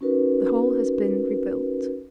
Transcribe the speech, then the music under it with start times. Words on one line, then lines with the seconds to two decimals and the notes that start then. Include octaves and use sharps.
The whole has been rebuilt.
0.01 C#4 D#4 F#4 A#4 B4